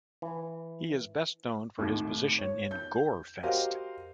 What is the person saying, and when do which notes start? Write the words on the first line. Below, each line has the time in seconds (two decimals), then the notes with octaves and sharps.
He is best known for his position in Gorefest.
0.22 E3
1.78 G#1 D#2 A2
2.38 C#5
2.71 G6
3.43 F#4 G4 A#4 C5 D#5 F5